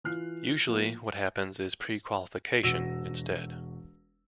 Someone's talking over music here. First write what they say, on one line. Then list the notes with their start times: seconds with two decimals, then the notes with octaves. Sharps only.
Usually, what happens is pre-qualification, instead.
0.04 E3 F4 F6 F#6 C7
0.67 F3 A#3
2.63 E1 F#4 E6 A#6